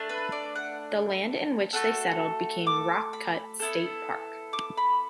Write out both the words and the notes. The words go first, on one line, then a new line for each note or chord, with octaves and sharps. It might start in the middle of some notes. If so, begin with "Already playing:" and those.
The land in which they settled became Rock Cut State Park.
Already playing: A3 D4
B4
D5
F#5
A3 F#4 A4
D6
B5
B3 E4 A4
D6
B5